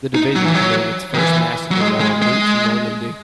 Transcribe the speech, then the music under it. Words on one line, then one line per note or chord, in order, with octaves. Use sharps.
The division committed its first massacre while en route to Normandy.
D#4
F#3
E3
F#3
D#3
E3
F#3
G#3
G#3
G#3